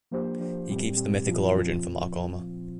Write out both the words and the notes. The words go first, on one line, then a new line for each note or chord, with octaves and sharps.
He keeps the mythical origin for Marcomer.
F3 A#3 D4 G4 C5
F3 A#3 D4 G4 C5
A#2 G3 C4 G4
A#2 G3 C4 G4
A#2 F3 C4 F4
A#2 F3 C4 F4